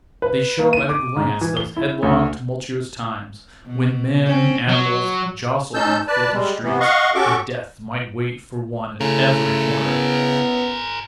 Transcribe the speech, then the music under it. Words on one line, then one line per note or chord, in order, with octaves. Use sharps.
They show at a glance those headlong, tumultuous times, when men and animals jostled in the filthy streets, and death might wait for one at every corner.
B4
A#3
D#7
D6
G#2
E3
G7
E4
D2
B2
C4 C#4
F#3
C#4 D#4 A5 E6 G6
B4 D5 A5
G3 G#3
C3 E3 B3
D#5 F5 F#5 C#6
C#4 F#4 G4 A4 C#6 D6
C#3 A3 C#4 E4 G#4 A#4
B3